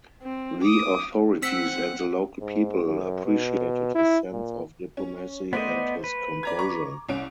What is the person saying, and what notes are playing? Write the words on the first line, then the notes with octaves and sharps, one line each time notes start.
The authorities and the local people appreciated his sense of diplomacy and his composure.
C4
D6 D#6
C4 F#5 E6 B6
G#2
F#2
B2
E4
A#2
C#4
A3 B3 C5 D5 D#5
B4
D5 A#5 G#6
A#5 C#6 D6
C2 C#4 D7